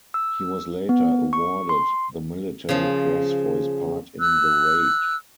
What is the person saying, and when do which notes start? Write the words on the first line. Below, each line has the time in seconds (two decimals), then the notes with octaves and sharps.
He was later awarded the Military Cross for his part in the raid.
0.14 E6
0.89 B3
1.33 C#6
1.69 C6
2.69 C#3 F3
4.20 E6 F#6